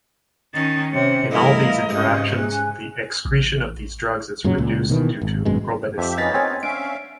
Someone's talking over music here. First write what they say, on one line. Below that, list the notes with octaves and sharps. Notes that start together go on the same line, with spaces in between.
In all these interactions, the excretion of these drugs is reduced due to probenecid.
D#3 C#4 A6
C3 C#4 C#5 G5 C#7
A1 G2 D3 E4 A#4 D#5 F5
C#2 G#2 C3 C#4 D#6
G#4 G#5 F#6
A1
F#2 A#2 C#3 F#3
C#2 A#2
B2 D#3 E3
G#1
G#1 F#2 B2 G#3
F2 G4 E5
B3 C#4 D#4 D#5 A6 B6
C4 A#4 C#5 G#5
C#4 D4 E5 F5 D7